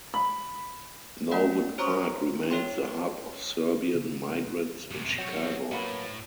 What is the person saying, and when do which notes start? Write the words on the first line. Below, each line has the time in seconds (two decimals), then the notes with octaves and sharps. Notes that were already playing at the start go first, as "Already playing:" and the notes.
Norwood Park remains the hub of Serbian migrants in Chicago.
0.14 B5
1.31 A3 D5 F#5 G5
1.78 C5 C#5 A#5 C6 C#6 D#6
2.51 B4 C#5 E5 G5 C6
3.95 C#3
4.91 F#2 C3
5.18 F#3 C4 C#5
5.72 A2 F#3 A#3 B4